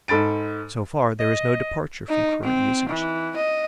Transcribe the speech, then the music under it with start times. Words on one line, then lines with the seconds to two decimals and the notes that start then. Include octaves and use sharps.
So far, there is no departure from current usage.
0.08 G#2 A4 B5 A6 D7
1.20 D#5
2.09 D#4
2.44 C4
2.89 E3
3.37 D#5